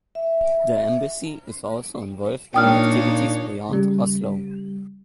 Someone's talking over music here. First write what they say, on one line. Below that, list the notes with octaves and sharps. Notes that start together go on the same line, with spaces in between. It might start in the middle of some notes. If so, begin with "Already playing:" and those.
The Embassy is also involved in activities beyond Oslo.
E5
A#2 D4 D#4 C#5 G5 D#6 F6
C#3 G3